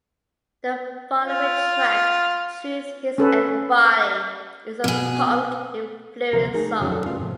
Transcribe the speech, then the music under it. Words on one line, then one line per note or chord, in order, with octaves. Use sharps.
The following track, "Truth Hits Everybody", is a punk-influenced song.
F4
C#4 A4 B4
B2 G#4
D2 C3 F3 A#4 E5
A3 D#4 G#4 A#4
F2 C#3 F#3 A3 C#4 D#4
D4 F#4 A4
G3 A3 B3 C#4 F4 F5
G#2 C3 F3